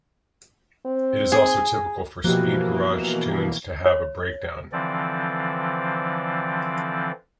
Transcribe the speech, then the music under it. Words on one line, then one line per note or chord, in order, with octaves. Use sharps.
It is also typical for speed garage tunes to have a breakdown.
C4
G#4
B2 E3 F3 A#3 F#4 G4
C#5
D3 E3 F3 C4 D5